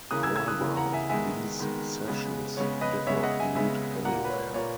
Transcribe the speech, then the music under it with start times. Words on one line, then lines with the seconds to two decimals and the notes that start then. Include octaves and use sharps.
However, these sessions did not lead anywhere.
0.11 C#3 E3 A#3 D#6 F#6
0.23 E6 G#6
0.36 E6 G#6
0.48 D#6 F#6
0.60 C#3 E3 A#3
0.77 F#5 A#5
0.93 E5 G#5
1.09 D#3 G#3 B3 E5 G#5
1.59 D#3 G#3 B3
2.08 C#3 G#3 B3
2.57 C#3 G#3 B3 C#5
2.81 B4 D#5
3.06 C#3 G#3 B3 C#5 E5
3.23 D#5 F#5
3.39 E5 G#5
3.55 C#3 G#3 B3 E5 G#5
4.05 A#2 A#3 F#5 A#5
4.25 B4
4.30 C#5
4.54 A#2 A#3 C#5